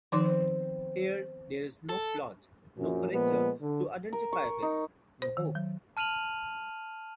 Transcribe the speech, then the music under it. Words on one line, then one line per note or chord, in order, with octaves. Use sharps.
Here there is no plot, no characters to identify with, no hope.
D#3 F3 B3 C4 D#4
A4
A#1 F#2
A#2 F3 G#3 B3
D3
A#4
C#6
D#4
C5
D#3
F#3
A5 F6 D#7 F7 F#7